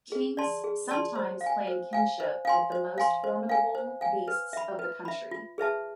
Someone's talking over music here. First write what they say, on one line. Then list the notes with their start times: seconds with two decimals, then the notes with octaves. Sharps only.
Kings sometimes claim kinship with the most formidable beasts of the country.
0.12 G#4
0.37 D5 A5 C6
0.64 G#4
0.89 D5 A5 C6
1.15 C5
1.41 F5
1.46 G#5
1.67 C5
1.93 F5 G#5
2.20 C5
2.45 F5 G#5 C6
2.72 C5
2.98 F5 G#5 C6
3.24 C5
3.49 F5 G#5
3.75 C5
4.01 F5 G#5
4.28 B4
4.53 E5 B5
4.79 B4
5.05 E5 B5
5.31 F4
5.58 G#4 B4 E5 A5